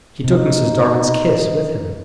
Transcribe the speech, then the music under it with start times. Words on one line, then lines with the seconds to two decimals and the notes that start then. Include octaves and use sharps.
He took Mrs. Darling's kiss with him.
0.24 C3 D#4